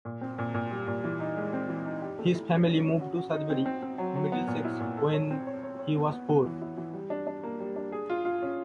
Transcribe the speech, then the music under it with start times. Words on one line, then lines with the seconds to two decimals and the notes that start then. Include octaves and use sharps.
His family moved to Sudbury, Middlesex when he was four.
0.05 A#2
0.21 C4
0.38 A#2
0.54 A#2
0.71 G3
0.87 A#2
1.04 E3
1.20 D#4
1.37 G#3
1.53 C4
1.69 E3
1.86 D#4
2.02 G4
2.19 A3
2.35 E4
2.51 C#4
2.67 C#4
2.85 C#4
3.01 F#4
3.17 F#4
3.33 D#4
3.50 C4
3.66 C4
3.83 C4
3.98 F#3
4.16 F#3
4.32 B3
4.47 A#2
4.65 E4
4.80 A#2
4.97 A4
5.13 C#5
5.31 C4
5.47 C#5
5.63 C#5
5.79 C#5
5.95 B3
6.12 B3
6.29 B3
6.46 E3
6.61 E4
6.78 E3
6.94 G3
7.10 D4
7.27 D4
7.43 A#3
7.60 G3
7.76 D4
7.92 G#4
8.10 F4
8.25 F4
8.42 C#4